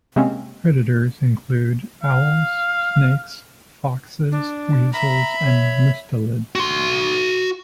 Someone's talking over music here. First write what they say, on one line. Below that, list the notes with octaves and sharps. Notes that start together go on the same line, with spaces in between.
Predators include owls, snakes, foxes, weasels, and mustelids.
C3 G#3 A#3 C4 C#4
F5
D4
E5 A#5 B5
C#5
F#4 C6